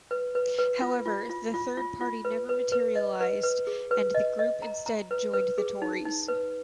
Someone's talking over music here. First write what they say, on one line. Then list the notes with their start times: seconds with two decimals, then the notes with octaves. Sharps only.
However, the third party never materialised and the group instead joined the Tories.
0.11 B4
0.35 B4
0.58 B4
0.82 F4
1.06 F4
1.29 F4
1.54 F4
1.77 F4
2.01 F4
2.25 B4
2.49 B4
2.72 B4
2.96 D#5
3.21 B4
3.43 B4
3.67 G#4
3.91 B4
4.15 D#5
4.39 D#5
4.62 A#5
4.86 A#5
5.11 B4
5.33 B4
5.58 G#4
5.82 D#4
6.06 D#4
6.28 B4